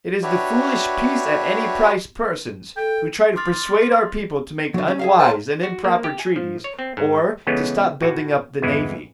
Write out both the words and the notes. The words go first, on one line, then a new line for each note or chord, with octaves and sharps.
It is the foolish, peace-at-any-price persons who try to persuade our people to make unwise and improper treaties, or to stop building up the navy.
D4 F#4 G4 B4 C#5 E5
A4 G5
C6 D6 F6 A6
D3 F#3
C#4
G#4 E5 F5
A#4 C5 A5
F#4
A#3
G4
G#5
F3
C#5
C4
G#2
C#3 E3 G#3 A3 B3 C#4
A2 F#4
G1 E2 E3 G#3 E4